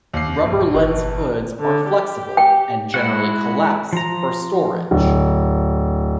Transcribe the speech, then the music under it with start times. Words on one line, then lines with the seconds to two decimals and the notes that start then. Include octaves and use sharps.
Rubber lens hoods are flexible and generally collapse for storage.
0.13 D#2 C7
0.45 A#1 G2
0.74 G1 B4
1.60 D3
1.89 G4
2.37 G5
2.94 G#3 E4 F#4 F#5
3.93 F3 A#5
4.91 D1